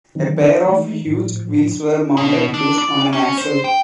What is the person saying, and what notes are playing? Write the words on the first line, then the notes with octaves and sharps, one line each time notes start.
A pair of huge wheels were mounted loose on an axle.
D3 D#3 F#3 C4 D#4
E3 G#3 A3 D#4
A2 F3
B2
D4
D5
C#4
C5
G5